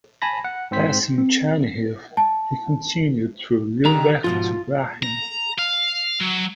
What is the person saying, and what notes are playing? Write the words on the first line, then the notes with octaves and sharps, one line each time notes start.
Passing Chernihiv, he continued through Liubech to Brahin.
G#5 A5 B5 A#6
F#5
G#2 C4 C5 B6
C4
A5
D3 D#3 G4 A#5
G#2 B2 F3 F4
A#5
F5
F#3